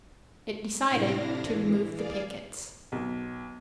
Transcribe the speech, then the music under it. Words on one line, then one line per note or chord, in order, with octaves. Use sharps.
It decided to remove the pickets.
A2 C3 D4 E4 F5 A#6
E3
G#4 D5 F5
B1